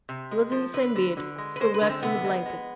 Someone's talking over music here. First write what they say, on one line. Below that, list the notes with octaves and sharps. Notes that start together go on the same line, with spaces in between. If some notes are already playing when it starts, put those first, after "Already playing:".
He was in the same bed, still wrapped in the blanket.
C3
G#3
F3
D3 B4
D3
D3
G#3
B4
G#3 C5
B4
D3
C4
C3 B3
G#3
G#3